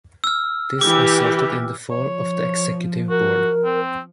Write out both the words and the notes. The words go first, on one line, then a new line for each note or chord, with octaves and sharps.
This resulted in the fall of the executive board.
E6 F6
E3 G4 D6
F3 C#5
F#4 A#4
C4